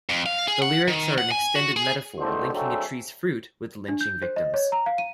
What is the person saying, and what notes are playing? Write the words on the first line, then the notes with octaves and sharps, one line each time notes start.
The lyrics are an extended metaphor linking a tree's fruit with lynching victims.
F2
F5
G#4
F#5
D#3
F#5
G#5
F#4
G#4
A1 E2 D3 D#3 A3 C5
D3 F#3 G#3 A3 C4
D4
G6
C5
D#5
C#5
A#5
F5
D#7